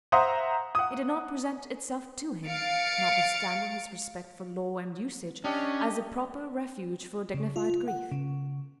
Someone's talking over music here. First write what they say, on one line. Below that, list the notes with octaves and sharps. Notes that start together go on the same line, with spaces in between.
It did not present itself to him, notwithstanding his respect for law and usage, as a proper refuge for dignified grief.
C5 E5 F#5 A#5 C6 D#6
F#5 D#6
F5 A6 C#7 D7
C#4 D4 G4 D#5
C#3
F4
F#5
C#3